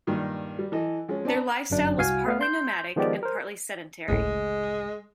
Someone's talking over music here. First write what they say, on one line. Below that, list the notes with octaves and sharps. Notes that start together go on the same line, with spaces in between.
Their lifestyle was partly nomadic and partly sedentary.
G2 A#2 D#3 D#4
G3
E3 A4 D#5
F3 G#3 C#4
C4 D4 A5 A#5
G1 F#2 D4
C2 F#4 F5 G#5 C7
A3 B3 F5
C6 G6
D#3 F3 G#3 B3 G4 D5
A#4 C5
G1 C#2 A2 G#3